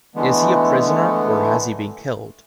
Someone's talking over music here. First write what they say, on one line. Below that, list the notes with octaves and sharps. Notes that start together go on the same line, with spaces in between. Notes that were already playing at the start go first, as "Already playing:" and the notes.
Is he a prisoner or has he been killed?
D3 E3 G#3 A3 B3